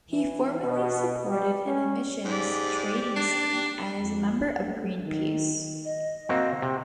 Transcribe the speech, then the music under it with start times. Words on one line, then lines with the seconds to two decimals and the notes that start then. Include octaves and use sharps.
He formerly supported an emissions trading scheme and is a member of Greenpeace.
0.11 E3
0.61 B2
1.29 G3
1.66 C#4
2.25 G#2 G4 D5
3.16 D4
4.00 F2
4.60 A3
5.06 D#3
5.85 D#5
6.29 A#3 C4 F#4
6.62 C3